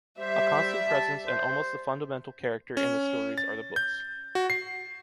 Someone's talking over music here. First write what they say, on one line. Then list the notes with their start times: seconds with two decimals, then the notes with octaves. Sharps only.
A constant presence and almost the fundamental character in the stories are the books.
0.19 G3 C5 E5
0.90 A5
1.26 C5
2.77 C#4
3.38 A6
3.76 G6
4.35 F#4
4.50 C7